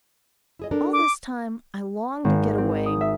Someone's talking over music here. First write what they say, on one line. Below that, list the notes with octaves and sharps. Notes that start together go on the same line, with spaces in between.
All this time I longed to get away.
E4 G#4 D#5
D4 A4 A#4
D6
G#1
C4
D#6
E5